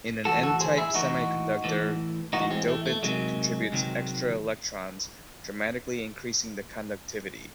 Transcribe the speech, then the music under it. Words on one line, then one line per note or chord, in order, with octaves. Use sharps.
In an n-type semiconductor, the dopant contributes extra electrons, dramatically increasing the conductivity.
A2 E3 F#4 A4
F#4 A4
G#4 C5
E4 G#4
A2 E3 D#4 F#4
A2 E3
A2 E3 D#4 F#4
G#3 C4
A3
A3
C3 D#3 F#3 G#3
C3 D#3 F#3